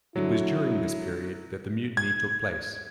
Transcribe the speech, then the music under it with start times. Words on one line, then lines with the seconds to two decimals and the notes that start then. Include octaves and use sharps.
It was during this period that the mutiny took place.
0.16 D3 F#3 E4
1.97 G#6